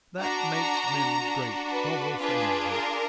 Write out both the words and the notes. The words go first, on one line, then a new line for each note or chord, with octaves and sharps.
That makes men great almost anywhere.
D4 F#4 A#5
D4 F#4
B4
D4 F4 G#4 B4
A#4